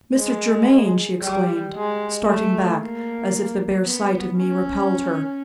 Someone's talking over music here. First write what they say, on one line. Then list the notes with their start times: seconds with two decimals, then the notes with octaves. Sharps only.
"Mr. Germaine!" she exclaimed, starting back, as if the bare sight of me repelled her.
0.17 G#3
1.22 G3
1.75 G#3
2.27 A3
2.81 A#3
3.85 B3
4.38 C#4